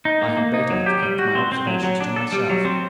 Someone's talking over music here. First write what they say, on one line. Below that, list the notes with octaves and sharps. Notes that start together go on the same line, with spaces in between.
I had better have kept my observations to myself.
D#4
A#3
A#3
D#4
F#3
G4
G3
F#4
C4
C4
F#3
F#3
D4
A4
G3
F#3
C4